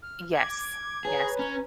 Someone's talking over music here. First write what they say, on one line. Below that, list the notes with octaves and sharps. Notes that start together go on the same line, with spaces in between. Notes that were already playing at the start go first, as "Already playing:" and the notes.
Yes, yes.
F6
D6 G#6
G#4 B4 C#5 A#5
C#4